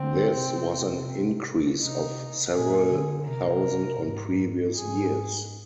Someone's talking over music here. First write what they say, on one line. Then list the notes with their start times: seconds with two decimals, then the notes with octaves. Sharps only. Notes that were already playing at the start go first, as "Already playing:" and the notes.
This was an increase of several thousand on previous years.
Already playing: D3 C4
0.33 C3
1.81 C3 D#4
2.55 A#2 G#4
2.91 D3
3.27 C3 A#4
4.01 G#2
4.75 G#2 G#4